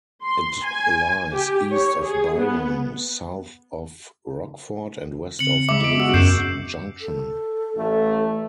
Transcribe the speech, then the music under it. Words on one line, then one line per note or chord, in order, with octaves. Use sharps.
It lies east of Byron, south of Rockford and west of Davis Junction.
C6
G#5
G4
C#5
G#4
B3
C#3 C4 C#7 F#7
G#3 E5 D6
B3 D7
F#4 E6
F#2 G6 C7 E7
A4
A1 A3